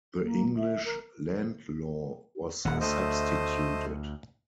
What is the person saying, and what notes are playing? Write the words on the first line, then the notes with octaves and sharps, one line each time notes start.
The English land law was substituted.
A#3
E5
A#4
D#1 D#2 F#5
D2 A3 C5 D#5